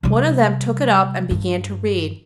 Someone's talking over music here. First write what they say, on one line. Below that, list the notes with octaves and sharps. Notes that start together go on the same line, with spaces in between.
One of them took it up and began to read.
C3 G3
G2